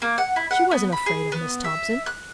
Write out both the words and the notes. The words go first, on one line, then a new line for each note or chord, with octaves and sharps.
She wasn't afraid of Miss Thompson.
A#3
F#5
E4
F#5
B3
B5
G#4
B3
E5
F#6